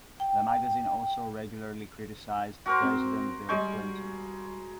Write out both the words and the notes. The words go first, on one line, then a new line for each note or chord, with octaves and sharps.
The magazine also regularly criticized President Bill Clinton.
G5
F#4 A#4 C5
C4
G3 G#3 C#6 G6